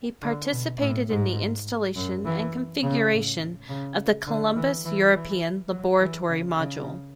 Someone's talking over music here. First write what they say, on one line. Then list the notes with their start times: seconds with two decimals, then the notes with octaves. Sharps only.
He participated in the installation and configuration of the Columbus European laboratory module.
0.22 D3
0.52 B2
0.80 A2
1.09 G#2
1.96 F#2
2.25 E3
2.83 C#3
3.12 A2
3.69 C#3
4.27 D3
4.56 E3
4.85 E3
5.14 E3
5.71 F#3
6.00 E3
6.29 C#3
6.58 C#3